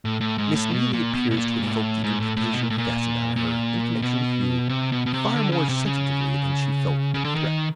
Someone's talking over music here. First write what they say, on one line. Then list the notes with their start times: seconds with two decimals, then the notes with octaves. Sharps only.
Miss Neelie appears to have felt the imputation fastened on her, in connection with you, far more sensitively than she felt the threat.
0.05 A2
0.21 A2
0.38 G#2
0.55 A2
0.71 B2
0.93 A#2
1.14 B2
1.31 B2
1.37 A#2
1.61 G#2
1.70 A2
2.04 G#2
2.20 A2
2.36 A2
2.54 B2
2.62 A#2
2.70 A2
2.78 A#2
3.36 A#2
4.02 B2
4.69 C3
4.92 B2
5.06 B2
5.14 C3
5.36 D3
5.52 C#3
5.69 C3
5.86 C#3
7.14 C#3
7.24 D3
7.35 D#3